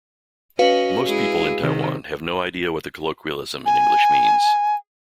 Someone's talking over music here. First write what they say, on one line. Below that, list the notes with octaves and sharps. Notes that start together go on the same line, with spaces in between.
Most people in Taiwan have no idea what the colloquialism in English means.
C#4 F#4 B4 D#5 F5
G#3 E4 G#4
C3 D#3
G#5